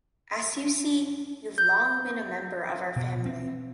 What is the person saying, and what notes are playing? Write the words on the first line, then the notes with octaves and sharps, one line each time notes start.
As you see, you’ve long been a member of our family.
G6
B2
C4